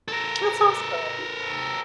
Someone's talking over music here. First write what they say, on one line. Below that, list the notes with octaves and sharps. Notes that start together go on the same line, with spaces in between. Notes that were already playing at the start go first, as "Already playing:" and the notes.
That's awesome.
A4 A#4